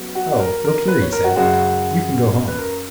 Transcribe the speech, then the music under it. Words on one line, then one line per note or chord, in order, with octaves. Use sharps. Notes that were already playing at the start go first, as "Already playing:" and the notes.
"Oh, look here," he said, "you can go home."
Already playing: C#3 F#3 B3
F#4
A#4
A#4
B4
C#5
A#4
F#4
F#2 C#3 G#3 F#4
B4
A#4